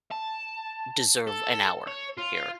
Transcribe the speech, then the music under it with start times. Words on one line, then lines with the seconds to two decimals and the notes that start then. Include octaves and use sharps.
deserve an hour, here
0.12 A5
1.27 A4
1.87 C#5
2.17 F4